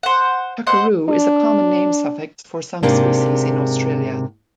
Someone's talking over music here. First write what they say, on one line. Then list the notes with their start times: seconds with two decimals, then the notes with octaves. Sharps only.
Tuckeroo is a common name suffix for some species in Australia.
0.03 C5 F#5
0.67 C5 D#5 F#5
1.09 D4
2.83 G#2 C3 A#3 D4